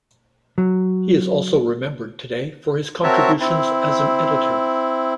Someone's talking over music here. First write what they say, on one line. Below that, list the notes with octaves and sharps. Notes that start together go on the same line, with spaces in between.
He is also remembered today for his contributions as an editor.
F#3
C4 F#4 A#4 C#5 E5 A5
C4 E4